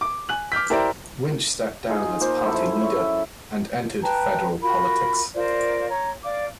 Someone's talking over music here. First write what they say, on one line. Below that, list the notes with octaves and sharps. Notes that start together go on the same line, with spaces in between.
Winch stepped down as party leader, and entered federal politics.
D6
G#5 F#6 F#7
D6 F6 G6 B6
E4 G4 A#4 C5 D5 A#5
D#4 F4 G#4
A#3 F4 C5
F#2 F3 E4 A4
C#5 E5
B4 G5 A5 A#5
F4 F#4 A#4 B5
F4 A#4 C5 D5
C#5 A#5
D5 F5 D6